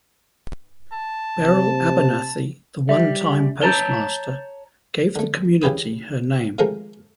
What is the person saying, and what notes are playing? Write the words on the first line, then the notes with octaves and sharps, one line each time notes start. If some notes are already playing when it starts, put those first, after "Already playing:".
Beryl Abernathy, the onetime postmaster, gave the community her name.
A5
C3
G3 E5
C#5 A5 A#5 G6 A6 G7
D3 A3
C#3 E3 G4 B4 D#6
C3 D#3 F3 G#3 A3 A#4